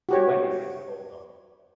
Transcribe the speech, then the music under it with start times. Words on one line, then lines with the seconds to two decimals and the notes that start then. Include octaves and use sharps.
The wedding is called off.
0.09 F#4 G4 C#5